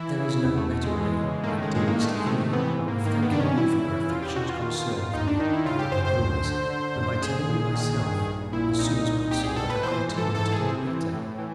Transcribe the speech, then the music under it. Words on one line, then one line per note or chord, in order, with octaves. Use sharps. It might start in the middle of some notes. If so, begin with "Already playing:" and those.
'There is no better way, my dearest E., of thanking you for your affectionate concern for me during my illness than by telling you myself, as soon as possible, that I continue to get better.
Already playing: E3 E4
C#3
E2 B3
A3
B2 A3
G#3
E3
C#3
A#3
D#3 A3
G#3
G2 G#3
A#3
D#3 A3
G#3
C3 A3
A3
E3 B3
G#2
A#3
D#3 A#3
B3
G2 D4
C#4
E3 E4
C#3
E2 F4
G4
B2 F#4
F4
D#3
G#2
D#2 D#4
D4
D#3 D#4
E4
C#3 F4
G4
F#2 C5
C5
D2
D3
D3
F#2
A#1 G#4
A#2
D#3
G2
A#1
A#2 E4
C2 D#4
A#2
C2 G4
G#4
B2 A4
B4
E3 C5
G#2
A4
E3 A4
G#4
C3
E3
A2
E3